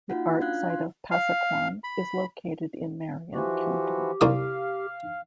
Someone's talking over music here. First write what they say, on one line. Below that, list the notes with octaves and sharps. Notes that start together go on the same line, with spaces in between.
The art site of Pasaquan is located in Marion County.
A#3 D#4 F4 F#4 F#5
C#4 D4 F4 F5 F#6 G#6
C6
F5
B5
E3 F3 F#4 G4
C2 A#3 F5 D#6